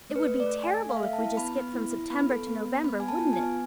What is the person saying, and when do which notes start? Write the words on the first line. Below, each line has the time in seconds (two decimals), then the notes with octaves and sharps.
It would be terrible if we just skipped from September to November, wouldn't it?
0.10 A3
0.16 B4
0.28 A3
0.40 D5
0.46 A3
0.64 A3 G#5
0.82 A4
0.89 F5
0.97 E5
1.02 A3 F5
1.13 A5
1.19 E4
1.37 B3 B5
1.56 B3
1.73 E4
1.92 E4
2.10 B3 B5
2.29 A4
2.47 B3
2.66 B3
2.84 B3 B5
3.00 B3 G#5
3.08 A5
3.21 F4
3.33 G#5
3.39 B3